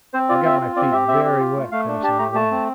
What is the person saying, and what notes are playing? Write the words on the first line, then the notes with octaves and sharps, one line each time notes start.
I got my feet very wet crossing the latter.
C4 C5
F4 D5
C4 E5
F4
C4 D5
G4 E5
C4 E5
G4
F4
A3
A3 F5
D4
G4 A5
A3 A#5
A3 A5
C4